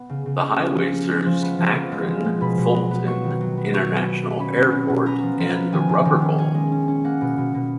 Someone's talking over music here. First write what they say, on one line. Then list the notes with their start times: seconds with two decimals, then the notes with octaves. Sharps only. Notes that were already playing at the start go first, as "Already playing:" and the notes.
The highway serves Akron Fulton International Airport and the Rubber Bowl.
Already playing: B3
0.09 C#3
0.26 C#3
0.42 C#4 C#6
0.59 F3
0.76 F3
0.92 A#3
1.09 G#3
1.26 F3
1.42 B3
1.58 F3
1.75 F3
1.92 G#3
2.08 F3
2.25 G#3
2.41 B2 B5
2.58 B2
2.75 F#3
2.91 B3
3.07 F#3 C#6
3.24 D#3
3.41 F#3
3.57 B3
3.73 B3 C#6
3.91 F#3
4.07 B3
4.23 B3
4.39 C#4 B5
4.57 B2
4.73 C#4
4.90 B2
5.06 B3 A#5
5.23 F3
5.39 F3
5.55 B3
5.73 D#3 G#5
5.89 D#3
6.05 D#3
6.22 C#4
6.38 C#4 G#5
6.55 G#3
6.72 C#4
6.88 C#4
7.04 A#3 F#5
7.21 B2
7.37 B2
7.55 B2